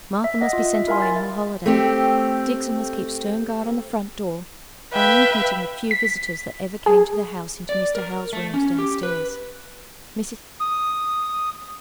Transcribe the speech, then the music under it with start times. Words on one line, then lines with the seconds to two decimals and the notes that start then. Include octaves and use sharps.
Martha must be sent away on her holiday; Dixon must keep stern guard on the front door, only admitting the few visitors that ever came to the house into Mr. Hale's room down-stairs--Mrs.
0.24 E5
0.41 D#5 F#5
0.53 F4
0.74 E5
0.87 E4 A#4 E5 F5 G#5 C6
1.02 A6
1.66 A3 C4 G4
4.93 B4 E5 F5 G5
5.91 B6
6.86 G#4
7.69 D5
7.95 A#4
8.33 A3
8.54 C#4
8.79 G4
9.03 B4
10.60 D#6